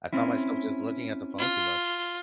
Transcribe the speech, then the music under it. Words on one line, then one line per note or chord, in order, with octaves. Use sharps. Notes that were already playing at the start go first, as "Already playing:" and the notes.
I found myself just looking at the phone too much,
C4 C#4 E4
F4